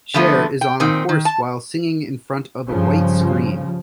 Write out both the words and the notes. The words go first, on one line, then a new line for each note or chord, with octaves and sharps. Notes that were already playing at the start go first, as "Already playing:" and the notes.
Cher is on a horse while singing in front of a white screen.
D3 F3 A3 B3
G5
A#2 D#3 C4
D#3
A5
G2 C#3 F3